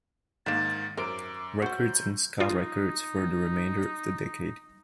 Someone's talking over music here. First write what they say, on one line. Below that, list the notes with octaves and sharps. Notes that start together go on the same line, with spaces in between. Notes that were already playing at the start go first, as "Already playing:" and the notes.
Records and Ska Records for the remainder of the decade.
G#2 D#3 A#3 D4 A6 E7
F#2 A#4 C5 D6 D7
F#4 C5 G6
D#4 F4